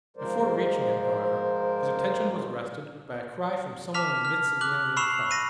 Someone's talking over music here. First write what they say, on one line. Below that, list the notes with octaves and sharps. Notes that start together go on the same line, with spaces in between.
Before reaching him, however, his attention was arrested by a cry from some one in the midst of the enemy in front.
G#2 F3 G#3 A#4 C5 D5
A5 D6 F6 B6 F7
F6
D6 F#6 F#7
B5 C#6 E6 C7 E7 F7
A#6 C7 D#7